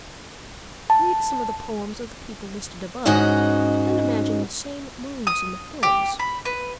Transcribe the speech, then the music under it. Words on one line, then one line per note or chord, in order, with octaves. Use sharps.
Read some of the poems of the people listed above, then imagine the same moods in the films.
A5
G#2 C#4 D#4 F#4 D#5
D#6
G4
B5
B4